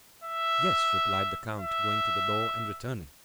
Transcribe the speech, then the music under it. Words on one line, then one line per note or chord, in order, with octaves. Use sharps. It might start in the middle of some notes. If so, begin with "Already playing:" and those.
"Yes," replied the count, going to the door, and returning.
E5
E5